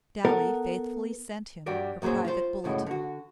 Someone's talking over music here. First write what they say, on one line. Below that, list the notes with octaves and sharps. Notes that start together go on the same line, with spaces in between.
Dowie faithfully sent him her private bulletin.
B3 A4 A#4
G2 G3 F#4 D5
F#2 A#2 F#3 G#4 C5
F4 C5
F#2 A2 C#3 G#3
D3 F#4